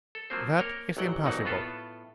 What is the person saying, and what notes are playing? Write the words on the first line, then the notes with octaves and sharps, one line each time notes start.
"That is impossible."
A4
F3 F#3 A#3 C4 C5
A#3 A#4 C#5 G5
A1 A#2 F#3 F#5 G5
A#1 B2 E3 F#3 D#4 F#5
A2 B3 F4 A4